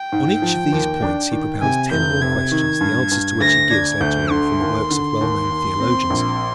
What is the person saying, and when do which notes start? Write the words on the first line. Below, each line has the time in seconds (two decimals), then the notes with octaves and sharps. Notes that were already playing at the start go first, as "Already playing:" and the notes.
On each of these points he propounds ten more questions, the answers to which he gives later on from the works of well-known theologians.
Already playing: G5
0.12 G#2
0.42 F3
0.72 D#2
1.02 D4
1.31 D#3
1.61 C3 G#5
1.91 F1 G6
2.22 C3 G#6
2.51 D#3
2.81 G2
3.11 G2
3.41 D2 A#6
3.71 D4 G#6
4.01 D2 G6
4.31 D3 C6
4.61 D#2
4.91 D3
5.21 D#2
5.50 D#2
5.80 C4
6.10 A#1